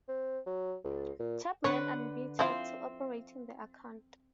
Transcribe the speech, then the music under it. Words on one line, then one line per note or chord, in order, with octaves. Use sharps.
Chapman admitted to operating the account.
C4
F#3
C#2
A#2
D3 B4 C#5 F#5
F3 C4 E4 F4 C5